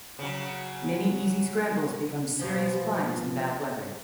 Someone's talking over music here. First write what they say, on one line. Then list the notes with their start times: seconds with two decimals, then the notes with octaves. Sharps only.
Many easy scrambles become serious climbs in bad weather.
0.19 C#3 F#3
2.39 B2 F3 C#4